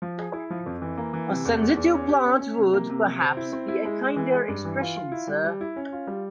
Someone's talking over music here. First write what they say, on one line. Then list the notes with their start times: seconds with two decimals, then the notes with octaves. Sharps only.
A sensitive plant would, perhaps, be a kinder expression, sir.
0.02 F3
0.18 G#4
0.33 E4
0.50 F3
0.66 F2
0.82 E3
0.97 A#3
1.13 E3
1.30 C3
1.45 E2
1.61 E2
1.77 E2
1.94 C#4
2.09 G4
2.26 C#4
2.41 C#4
2.58 C3
2.74 A#3
2.90 C3
3.05 C3
3.21 C4
3.37 E4
3.52 C4
3.68 E4
3.85 G#3
4.01 G#3
4.16 E3
4.32 G#3
4.48 G2
4.65 E3
4.81 F4
4.96 F4
5.12 E4
5.28 G3
5.44 G3
5.61 E4
5.76 C#4
5.92 F4
6.07 G3